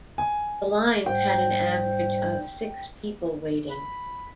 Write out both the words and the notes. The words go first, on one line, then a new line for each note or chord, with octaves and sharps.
The lines had an average of six people waiting.
G#5
G#2 G3 C5 G5
B5